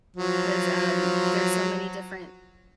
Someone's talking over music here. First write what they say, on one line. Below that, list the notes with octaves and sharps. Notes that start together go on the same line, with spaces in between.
'cause, um, there's so many different
F3 F#3